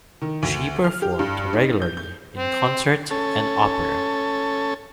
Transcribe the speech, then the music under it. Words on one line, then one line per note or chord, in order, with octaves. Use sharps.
She performed regularly in concert and opera.
D#3
D2
F6
G4
G2
D#4
G6
G6
C4
C#4 A4